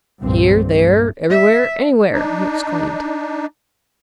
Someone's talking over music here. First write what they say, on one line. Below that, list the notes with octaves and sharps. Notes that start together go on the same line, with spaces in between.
"Here, there, everywhere, anywhere!" he exclaimed.
G1 C2 G2 A#2 F3 C4
G2 A3
E5
D4 D#4